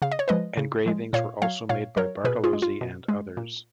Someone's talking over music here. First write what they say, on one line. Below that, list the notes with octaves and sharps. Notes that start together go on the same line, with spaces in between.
Engravings were also made by Bartolozzi and others.
C#3 F5
D#5
C#5
F3 G#3 B4 D#5
C#3
F3 G#3
A#2 C#5 F5
F#3 C#5 F5
A#2 C#5 F5
F#3 A#4 C#5
B2 G#4 B4
F4 G#4
G#3
F4
B2
G#3
A#2